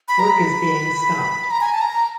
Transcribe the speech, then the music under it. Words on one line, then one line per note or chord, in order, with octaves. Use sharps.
Work is being stopped.
B5
A#5
B5
A#5
G#5
A5
A#5